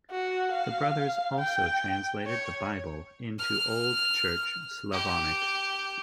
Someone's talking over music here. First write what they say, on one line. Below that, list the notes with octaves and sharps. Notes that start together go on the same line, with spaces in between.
The brothers also translated the Bible into Old Church Slavonic.
F#4
F5
G5
C#5
F6
G4